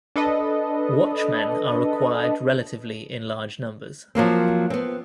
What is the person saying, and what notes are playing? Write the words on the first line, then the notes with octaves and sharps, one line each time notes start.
Watchmen are required relatively in larger numbers.
D4 A4 B4 D#5
F3 F#3 A#3 C4
B3 C4